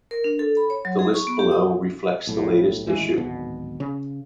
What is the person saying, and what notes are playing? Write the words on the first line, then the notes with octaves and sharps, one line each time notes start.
The list below reflects the latest issue.
A#4
D4
A4
B5
C#5
F#3
G#4
C#6
B3
G4
D#6
B1 A2
A1 D#2 E3 G#3
D1 G#1 B2 B3
C#3